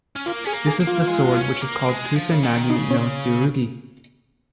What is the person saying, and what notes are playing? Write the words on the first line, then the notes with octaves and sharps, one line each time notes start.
This is the sword which is called Kusa-nagi no tsurugi.
C#4
A#3 F4
C#4 G#4
A#3
G#4
A#3
F4
G#3
C#4
A#3
G#3
F3
C#3
D#3
C#3 D#4
C#4